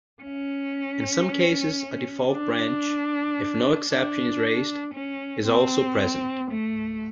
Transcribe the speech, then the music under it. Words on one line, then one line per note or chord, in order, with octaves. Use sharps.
In some cases a default branch, if no exception is raised, is also present.
C#4
D4
D4
C#4
C4
A3